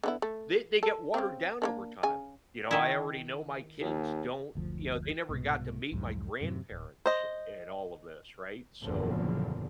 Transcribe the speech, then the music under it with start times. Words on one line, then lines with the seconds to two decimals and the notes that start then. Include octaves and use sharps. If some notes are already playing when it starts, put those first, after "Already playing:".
they they get watered down over time, you know, I already know my kids don't You know, they never got to meet my grandparents and all of this, right? So,
0.03 D3 B3 E4
0.22 A3
0.83 A4
1.14 C#3 C4
1.62 A#3 C#4 D4
2.03 C#3 G#5
2.71 D#3 E4
3.81 D#2
4.55 F#1 D2 F3
5.29 C2 G#2 B2
5.92 C2 F2 G#2 F#3
6.41 F#2 A2 C3 F#3
6.72 D1
7.06 C5 D#5
8.80 F#1 E2 A#2 D3 F3